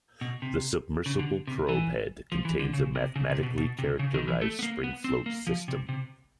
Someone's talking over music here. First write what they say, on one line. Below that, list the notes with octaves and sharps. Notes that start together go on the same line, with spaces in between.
The submersible probe head contains a mathematically characterized spring-float system.
B2
C3
C#3
D3
C3
E3
F3
E3
D3
C#3
C3
C#3
C3
B2
B2
C3
C#3
D#3
E3
A3
B3
A#3
B3
C4
A#3
F3
C3
C3